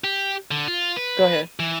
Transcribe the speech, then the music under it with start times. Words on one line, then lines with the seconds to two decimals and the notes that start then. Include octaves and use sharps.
go ahead.
0.04 G4
0.51 D3
0.68 F4
0.96 B4
1.60 E3